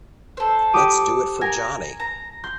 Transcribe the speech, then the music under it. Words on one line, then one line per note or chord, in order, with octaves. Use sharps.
Let's Do It for Johnny!!
A4 C5
G4 D6 D#6
A#4 G#5
A#5
C6 G6